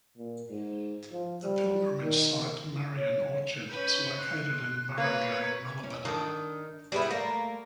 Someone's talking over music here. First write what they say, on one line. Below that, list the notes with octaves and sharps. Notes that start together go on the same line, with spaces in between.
The pilgrimage site "Marian Orchard" is located in Barangay Malabanan.
A#2
G#2
F3
G3
D#3
C#5
C#4 B4 G6
C6 F#6
A#3 B4 C#5
E2 C#4
D#3 D4 A4
G3 B3 E4 G#4 B4
A3 A#3